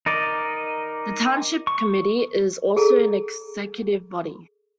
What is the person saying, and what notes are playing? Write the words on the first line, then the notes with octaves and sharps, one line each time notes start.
The Township Committee is also an executive body.
D#4 A#4 D5 D#5
C#6
G#4 A4 A#5